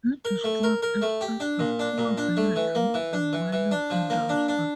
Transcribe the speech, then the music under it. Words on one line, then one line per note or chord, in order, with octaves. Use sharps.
He described it as a "poor village" with a whaling industry.
A#4
A3
A#4
A#4
A3
G4
D4
A#2
D4
A#2
D4
A3
E3
A#3
E3
D4
E3
E3
D4
F3
A#3
D4
D4